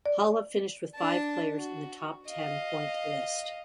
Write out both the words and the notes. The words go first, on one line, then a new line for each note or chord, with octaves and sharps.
Halla finished with five players in the top ten point list.
D5
D4 A5
F#4
D#5 F5